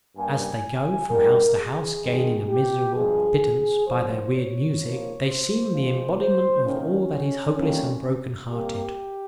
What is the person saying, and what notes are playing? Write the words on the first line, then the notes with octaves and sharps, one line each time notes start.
As they go from house to house, gaining a miserable pittance by their weird music, they seem the embodiment of all that is hopeless and broken-hearted.
G2 G3 A#3 G#5
G#2 G3 A#3 A#4
G#4
G2 D#3 G#3
G4
G2 F3 G#3 G#4
G2 F3 A#3 C5
C#5
G#2 F3 A#3
C5
C3 F3 G#3
C5
C3 D#3 A#3 C#4
F2 D#3 G3 A#3 C#4
C3 G3 A#3 G4